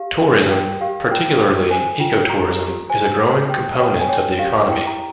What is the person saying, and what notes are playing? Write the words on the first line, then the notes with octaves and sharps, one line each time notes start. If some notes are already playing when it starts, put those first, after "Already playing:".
Tourism, particularly ecotourism, is a growing component of the economy.
Already playing: G4 F5
G4
A#4 G5
G4 F5
F4 G5
C5
C5 G#5
F4 G5
G4 A#5
G4
C5 G#5
C5
G4 G5
C#5 G5
G#5
C#5 G5
G4 F5
E4 G5
A#5